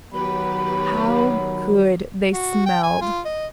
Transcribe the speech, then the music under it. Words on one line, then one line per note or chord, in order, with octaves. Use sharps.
How good they smelled!
D#3 F#3 B3 G4 B4 B5
F#4
G5
G#5
F4
D#5